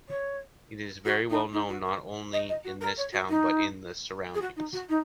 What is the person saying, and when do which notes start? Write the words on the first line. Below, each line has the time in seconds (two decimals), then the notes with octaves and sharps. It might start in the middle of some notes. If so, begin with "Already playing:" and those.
It is very well known, not only in this town but in the surroundings.
0.09 C#5
1.05 F#4
1.30 D#4
1.52 D#4
1.69 F#4
1.85 A#4
2.33 D#5
2.49 D#5
2.64 F#4
2.81 A#4
2.97 C#5
3.12 F#4
3.29 D#4
4.34 G#4
4.41 F#4
4.56 D#4
4.73 F#4
4.89 D#4